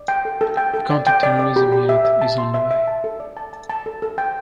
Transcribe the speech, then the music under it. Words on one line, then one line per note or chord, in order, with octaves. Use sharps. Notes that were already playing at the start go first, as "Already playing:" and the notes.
The counter-terrorism unit is on the way.
Already playing: D5
G5
A4
A4
G5
A4
D5
G5
D5
D5
G4
G4
E5
E5
A5
C6
E5
E5
A5
A4
D5
A5
A5
A5
A4
A4
G5